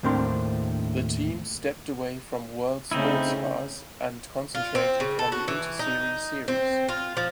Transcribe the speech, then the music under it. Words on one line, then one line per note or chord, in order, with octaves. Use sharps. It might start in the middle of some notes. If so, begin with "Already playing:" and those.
The team stepped away from World Sportscars and concentrated on the Interserie series.
D#2 A2 C4 D4 A#4 C6
C#3 A3 C4 C#4 D#4 E4
F4
C4
C#3
A4
F#4
E3
D#4
C4
F4
F3